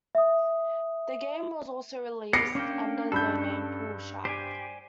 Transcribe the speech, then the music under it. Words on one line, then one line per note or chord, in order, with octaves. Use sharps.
The game was also released under the name "Pool Shark".
E5 D#6
B3 G4 A#6 C7 C#7
A#3 C#4 D4 G5
G2 A4 B5 G6
G4 C5 D5 G#5